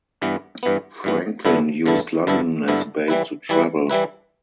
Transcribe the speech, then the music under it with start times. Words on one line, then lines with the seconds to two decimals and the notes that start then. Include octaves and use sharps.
Franklin used London as a base to travel.
0.22 G2 E3 B3
0.63 G2 E3 B3
1.04 G2 E3 B3
1.45 G2 D3 B3 E4 A4
1.86 G2 D3 B3 E4 A4
2.27 G2 D3 B3 E4 A4
2.68 G2 D3 B3 E4 A4
3.08 E3 G3 E4 B4
3.49 E3 G3 E4 B4
3.89 E3 G3 E4 B4